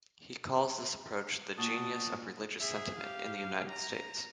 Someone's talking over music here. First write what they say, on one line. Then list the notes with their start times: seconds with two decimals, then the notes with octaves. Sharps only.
He calls this approach the genius of religious sentiment in the United States.
1.58 A#2 F#4 A5 D#6
2.60 G#4 E5
2.99 G4 F5
3.70 A#5